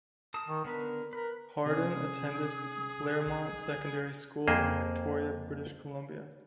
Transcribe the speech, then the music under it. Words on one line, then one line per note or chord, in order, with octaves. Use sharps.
Harden attended Claremont Secondary School in Victoria, British Columbia.
A#4 A5 D#6
D#3
D3 B3 A#4 B4
A#4 B4
C3 C#4 G#4 D#6
F2 A#3 G#4 C5